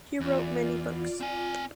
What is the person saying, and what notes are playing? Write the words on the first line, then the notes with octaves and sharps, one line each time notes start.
He wrote many books.
E2 F4 D5
C4 G#5